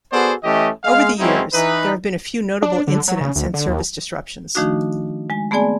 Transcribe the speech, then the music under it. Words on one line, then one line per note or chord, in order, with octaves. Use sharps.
Over the years, there have been a few notable incidents and service disruptions.
B3 F#4 G#4 A4 C5 D5
E3 A3 C#4 G4 D#5
G#3 F5
F#3 G#3 C4 C#4 D#4 E4
E3 D#4 B4
D4
D3
F#3
C#3
D2
D3
D#2
D#3 F3 A3 D4 D#4 F#4
G#3 G#5
A3 B3 C4 G#4 D5 G#5